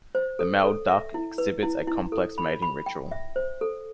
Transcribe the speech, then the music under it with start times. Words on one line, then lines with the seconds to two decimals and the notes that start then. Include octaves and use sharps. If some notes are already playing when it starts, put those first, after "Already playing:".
The male duck exhibits a complex mating ritual.
0.15 C5
0.39 A4
0.64 A4
0.88 E5
1.14 E4
1.38 B4
1.63 E4
1.87 E4
2.12 A4
2.38 B5
2.62 B5
2.86 G5
3.11 E5
3.36 C5
3.61 A4